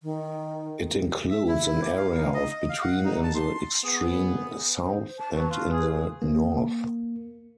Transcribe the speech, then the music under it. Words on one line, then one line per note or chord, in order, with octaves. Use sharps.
It includes an area of between in the extreme south and in the north.
D#3
E5
E4
D6
F5
D#4
D#5
D#5
F5
F#5
D#4
A5
C6
B3 G#4
C5
A5
F#3 B4
F4
G#4
A#3